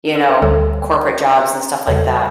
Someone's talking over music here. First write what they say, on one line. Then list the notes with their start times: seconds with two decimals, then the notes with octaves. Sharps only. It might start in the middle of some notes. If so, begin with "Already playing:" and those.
you know, corporate jobs and stuff like that.
0.15 A4
0.29 B4
0.42 D2 D3 G3 A4 C#5
1.87 E2 C#3 G3 A4 C#5